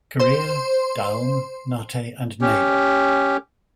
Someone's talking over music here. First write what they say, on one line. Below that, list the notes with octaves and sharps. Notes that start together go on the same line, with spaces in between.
Korea, Daum, Nate, and Naver.
C5 C6
C#4 G4